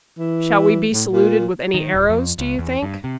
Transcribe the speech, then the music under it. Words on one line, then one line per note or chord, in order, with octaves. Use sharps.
"Shall we be saluted with any arrows, do you think?"
E3
A2
A#2
D#3
D#1
F2
C#2
E2
G2
C3